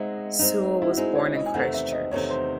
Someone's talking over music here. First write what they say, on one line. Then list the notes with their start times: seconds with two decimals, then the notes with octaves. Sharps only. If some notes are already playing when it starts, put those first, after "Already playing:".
Sewell was born in Christchurch.
Already playing: G#3 C4 D#4 D#5 E5 F#5
0.39 G#3 C4 D#4
0.82 E4
0.89 F#4
0.97 G#3 C4 D#4 G#4
1.15 C#5
1.35 D#5
1.46 G#5
1.54 E2 C3 D#3 A3 C4 F#5
1.74 E5
1.92 D#5
2.11 E2 C3 D#3 A3 C4 C#5
2.30 C5